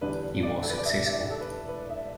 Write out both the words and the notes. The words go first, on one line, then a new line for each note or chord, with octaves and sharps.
He was successful.
E2 D3 G3 D4 B4
D5
A4
B4
D5
E5
E5
D5
A4
B4
B4
E5